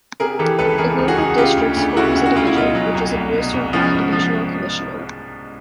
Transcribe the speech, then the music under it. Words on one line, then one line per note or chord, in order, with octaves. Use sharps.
A group of districts forms a division, which is administered by a 'Divisional Commissioner'.
C3 G#4 A#4
E3 G4 A4
C#2 A4 B4
E3 G#4 A#4
C#2
F#4 G#4
C#2
C#3 F4 G4
D2
D2
C#3 E4 F#4
D2
F#4
D2 F4
E4
B2 D#4 F4
F#3
C2
C2
B2
C2
F3 B3 C#4
G#2
F3